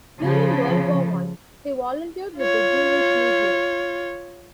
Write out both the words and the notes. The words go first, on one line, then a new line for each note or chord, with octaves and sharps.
During World War One, he volunteered with the Jewish Legion.
C#3 F3
F4 C#5